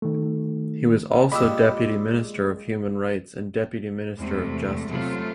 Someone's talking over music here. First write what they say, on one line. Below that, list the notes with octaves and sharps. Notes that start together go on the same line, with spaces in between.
He was also deputy minister of human rights and deputy minister of justice.
D#3 A3
A#2 G#3 D4 G4 D#5 F5 B5 E6
E2 C3 G#3 A3
C3 F#3 A3 B3 F4